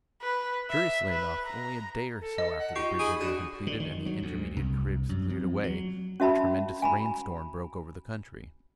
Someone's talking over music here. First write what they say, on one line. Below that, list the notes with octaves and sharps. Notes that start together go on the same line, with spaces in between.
Curiously enough, only a day or so after the bridge had been completed and the intermediate cribs cleared away, a tremendous rain-storm broke over the country.
B4
E5
B4
A#5
A4
D#5
F#5
D#4 F4 G4 D#5 C#6 C7
G#4 B5 D#6 D7
D3 F#4
D3
D#3
F#3
D2
C2
F#2
F2
F#3
C#4 F#4 E5 A5 B5
G#5 A#5 B5